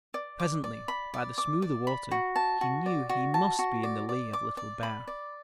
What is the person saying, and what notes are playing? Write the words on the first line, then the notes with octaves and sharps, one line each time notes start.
Presently, by the smoother water, he knew he must be in the lea of Little Bear.
D5
D6
D5
B5
D5
D6
D5
B5
F#4
A5
F#4
D5
F#4
A5
F#4
D5
D5
D6
D5
B5
D5